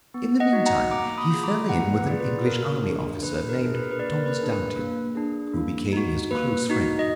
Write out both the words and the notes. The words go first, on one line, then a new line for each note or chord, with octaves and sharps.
In the meantime he fell in with an English army officer named Thomas Doughty, who became his close friend.
B3
D#5 F#5
D#4 F#4
F#5 A#5
A#3 A#5 D6
B5 D#6
F4 G#4
A#5 D6
A#3 F#5 A#5
B4
F4 G#4 D5
B4
A#3 A#4
D4 F4 G#4
A#3 B4
A#4
D4 F4 G#4
B4
A#4
B4
A#3 A#4 D5
B4
D4 G#4
B4
A#3
D4 G#4
A#3
D#4 F#4
A#3 B4
D#4 F#4
D#5